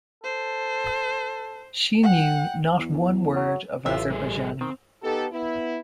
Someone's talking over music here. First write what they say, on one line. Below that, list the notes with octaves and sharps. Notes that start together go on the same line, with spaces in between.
She knew not one word of Azerbaijani.
A4 C5
F#5 G5
E2
F#3
A1 E3 F4 E5
G3 G#4
D#3 C4
B3 D#4 G4 A4
B3 E4